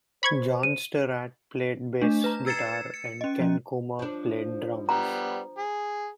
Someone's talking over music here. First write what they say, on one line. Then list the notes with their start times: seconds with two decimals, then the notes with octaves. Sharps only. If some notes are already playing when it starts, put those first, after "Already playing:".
John Stirratt played bass guitar and Ken Coomer played drums.
0.23 C5 B5 C#6 G#6
0.63 D#7
2.01 A3 D4
2.24 B4 A#5
2.46 E6 G#6 A6 C7 C#7 E7
2.94 C#7
3.21 C#4 D#5
3.40 F3 C#4
3.99 F3 D4
4.89 G3 B3 A#5
5.58 G#4